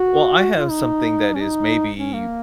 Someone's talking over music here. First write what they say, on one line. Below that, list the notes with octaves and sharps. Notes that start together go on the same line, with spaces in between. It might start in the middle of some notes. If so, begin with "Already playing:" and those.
Well, I have something that is maybe,
Already playing: F#4
F4
D#4
C#4
D#4
C#4
A#3